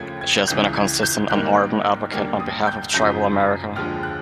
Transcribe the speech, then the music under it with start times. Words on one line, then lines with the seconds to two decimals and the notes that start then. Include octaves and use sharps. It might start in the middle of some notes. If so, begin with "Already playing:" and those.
She has been a consistent and ardent advocate on behalf of Tribal America.
Already playing: D#2 C#3 F3 A3 G#6
0.21 G#6
0.48 C#2 C#3 E3 G6
0.76 G#6
1.03 G6
1.30 G#2 D#3 G3 A#3 F#6
2.12 D#2 D3 G3 A#3 F6
2.40 D#6
2.67 G6
2.94 F#2 C#3 F3 G6
3.76 D#2 D3 F3 G#3 F6
4.03 F#6